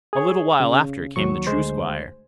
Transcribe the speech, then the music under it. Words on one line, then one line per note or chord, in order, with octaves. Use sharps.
A little while after came the true Squire.
G#4 C#5
C#3
D#2 F#3 C#6
D2 G#3 C5